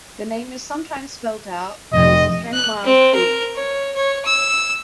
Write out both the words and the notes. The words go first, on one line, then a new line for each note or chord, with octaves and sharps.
The name is sometimes spelled out as "Ten Mile Creek".
F1 C3 D#5
F#6
C4
A#4
C#5
C#5
E6